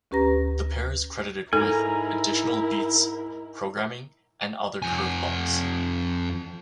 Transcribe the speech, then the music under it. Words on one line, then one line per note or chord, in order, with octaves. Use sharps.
The pair is credited with "additional beats, programming and other curve balls".
D2 C#4 G4 B4 A#5 A#6
G#2 E4 A4 A#4 G#5 A#5
F2 G#5